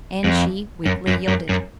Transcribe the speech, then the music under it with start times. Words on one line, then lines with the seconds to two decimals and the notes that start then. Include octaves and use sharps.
And she weakly yielded.
0.24 F2
0.86 F#2
1.07 F#2
1.28 F#2
1.49 F#2